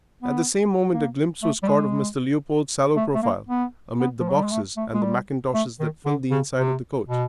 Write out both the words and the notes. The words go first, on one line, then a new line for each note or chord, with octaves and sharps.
At the same moment a glimpse was caught of Mr. Leopold's sallow profile amid the boxes and the mackintoshes that filled the inside of the coach.
B3
A#3
A3
G3
G#3
A3
A3
A#3
B3
B3
F3
F#3
G3
G#3
A3
A3
G#3
G3
A3
D#3
D3
C#3
C3
B2